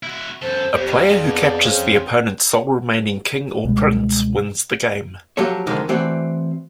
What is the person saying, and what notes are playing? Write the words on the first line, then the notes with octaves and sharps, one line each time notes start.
A player who captures the opponent's sole remaining king or prince wins the game.
E4 F#4
F#2 A4 C5
F2 G3 C4
G#4
B3 D4
F3 C4 C#4
C#2 B2 G3 G#3
F3 F#3 G4 A4 C#5
F2 G#2 D3 D#3 G#3 D#4
E3 A3 C4 F#4 D5